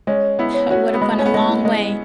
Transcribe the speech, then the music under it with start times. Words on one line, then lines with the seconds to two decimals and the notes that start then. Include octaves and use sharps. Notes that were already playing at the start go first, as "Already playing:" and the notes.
That would've went a long way.
0.07 G#3 C#4 C#5
0.39 B3 E4
0.54 C#5
0.70 C#4 F#4
0.94 B3
1.02 G#3 B5
1.19 C#4
1.26 B3
1.34 G#3
1.49 E4
1.65 G#3